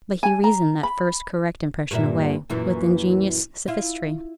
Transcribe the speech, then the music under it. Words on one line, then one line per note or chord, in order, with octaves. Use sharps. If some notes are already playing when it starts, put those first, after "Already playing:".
But he reasoned that first correct impression away with ingenious sophistry.
G#5
A#5
B5
G2 A#2 E4
F#2 A#2 E3
E4 F4